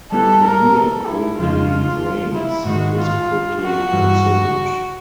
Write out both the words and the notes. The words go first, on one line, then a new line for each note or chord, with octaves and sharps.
The beer quickly drains, and is quickly consumed.
G3 B3 E4 G4 A4 B4
A#4
A4
E4
F2 C#3 F3 G#3 F4
E4
G#2 D#3 G#3 F#4
F4
F#4
G2 E3 G3